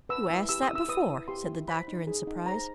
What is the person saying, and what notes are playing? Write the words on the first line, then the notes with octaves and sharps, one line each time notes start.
"You asked that before," said the doctor in surprise.
B4 E6
E4
G4 E6
D#6
E4
E6
B4 D#6
E4
G4 C6
E4
C5 B5
D#4
G#4
D#4
C5 A#5